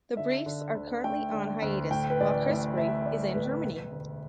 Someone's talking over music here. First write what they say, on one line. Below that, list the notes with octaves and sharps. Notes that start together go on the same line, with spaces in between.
The Briefs are currently on hiatus while Chris Brief is in Germany.
D3 E5
D3
D2
A3 G5
D3
D2
A2 G5
B4
A1 D5
A2 D5
A1 E5
A3 D5
A1 B4
E1
D2